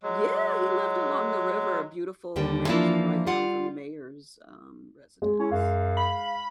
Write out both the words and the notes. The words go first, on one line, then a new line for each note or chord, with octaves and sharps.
Yeah! He lived along the river, a beautiful mansion right down from the mayor's, um, residence, yeah,
F#3 G#3
D#2 D3 G3 G5
E3 F3 A#3 D4 E4 F4
G3 F4 F#5
G#3
C#4 E4
F#2 F5
B5